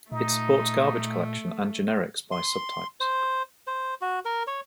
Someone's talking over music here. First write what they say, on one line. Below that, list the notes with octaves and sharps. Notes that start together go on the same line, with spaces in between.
It supports garbage collection and generics by subtypes.
A#2 A3 D#4
C6
C5
C5
F#4
A#4
C#5